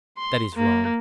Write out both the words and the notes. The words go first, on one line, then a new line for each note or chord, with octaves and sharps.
That is wrong.
C6
A#3